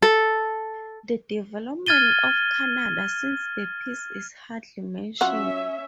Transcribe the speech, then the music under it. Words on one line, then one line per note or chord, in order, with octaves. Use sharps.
The development of Canada since the peace is hardly mentioned.
A4
F6 G#6 A6 D#7 G7
F#3 C#4 F4 E5 F#5